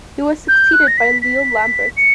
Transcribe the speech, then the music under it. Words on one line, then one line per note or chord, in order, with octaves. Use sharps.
He was succeeded by Leo Lambert.
G6
F#6
A#6
B6
B6
C#7